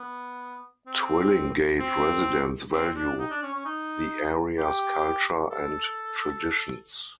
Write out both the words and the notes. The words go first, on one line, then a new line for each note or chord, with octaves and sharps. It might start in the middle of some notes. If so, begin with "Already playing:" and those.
Twillingate residents value the area's culture and traditions.
Already playing: B3
C4
C4
C4
D4
D#4
D4
C#4
C#4
D#4
G4
A4